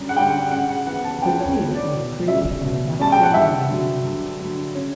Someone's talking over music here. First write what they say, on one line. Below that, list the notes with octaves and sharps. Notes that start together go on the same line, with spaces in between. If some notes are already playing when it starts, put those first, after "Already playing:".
The cave was created by natural erosion.
Already playing: F#2 D3 G3 C#4
F#5
D3 G3 C#4 G5
C#3 F#5
F#5
E3 B3 F#5
A5
C#3 G5
C#5
E3 B3
D5
B2
G3 C#4 E5
B2
G3 C#4 A5
G5
F#5
G2 E5
D3 F#3
G2
D3 F#3
C#3 C#5